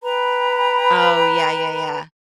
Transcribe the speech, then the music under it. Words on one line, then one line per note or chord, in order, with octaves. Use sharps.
Oh yeah, yeah, yeah.
B4 G5 A#5 B5